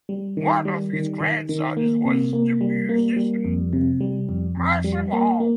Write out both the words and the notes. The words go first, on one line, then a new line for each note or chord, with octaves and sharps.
One of his grandsons was the musician Marshall Hall.
G3
D#3
G3
D#3
D#3
D#3
A#3
C3
A#3
G3
A#3
G3
F2
C3
G3
F2
F2
G3
A#3
A#3